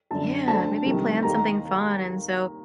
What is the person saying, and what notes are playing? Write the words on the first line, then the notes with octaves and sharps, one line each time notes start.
Yeah, maybe plan something fun, and so
F#2 D3 A5
D2 D3 A5
C2 C3 D#3
D#2 D#3 A#5